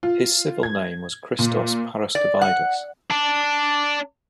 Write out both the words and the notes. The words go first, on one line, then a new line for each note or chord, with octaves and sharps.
His civil name was Christos Paraskevaidis.
F4
G#6
A#2
D5
F#5
D4